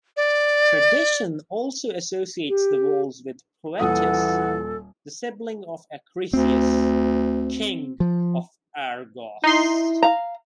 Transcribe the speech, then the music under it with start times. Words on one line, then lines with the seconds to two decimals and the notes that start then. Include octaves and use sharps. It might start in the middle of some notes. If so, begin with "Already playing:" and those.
Tradition also associates the walls with Proetus, the sibling of Acrisius, king of Argos.
0.17 D5
2.49 G4
3.80 D#1 A#2 E3 A4 F#5 D#6
6.33 D2 C4
8.00 F3
9.44 D#4 E4 C6
10.03 F5 A#5